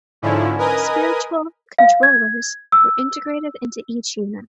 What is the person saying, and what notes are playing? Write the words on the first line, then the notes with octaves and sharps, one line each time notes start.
Spiritual "controllers" were integrated into each unit.
G#2 D3 F3 C#4 E4
A#4 B4 D#5 G#5 D#6
F5
G#6
E6